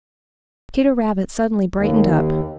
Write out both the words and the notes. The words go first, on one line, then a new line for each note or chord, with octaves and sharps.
Peter Rabbit suddenly brightened up.
D#2